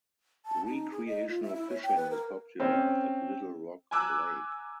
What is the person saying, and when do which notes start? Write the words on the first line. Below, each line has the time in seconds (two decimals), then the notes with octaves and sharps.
Recreational fishing is popular at Little Rock Lake.
0.45 A5
0.66 D#4
0.91 G#4
1.06 D#5
1.28 F4
1.43 E5
1.55 E4
1.69 C#5
1.83 G5
1.96 B4
2.10 A#4
2.60 C4 C#4
3.91 G#5 A#5 D6 E6 F#6